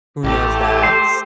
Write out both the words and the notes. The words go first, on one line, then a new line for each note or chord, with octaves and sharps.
who knows that
A1 A3 G4
C5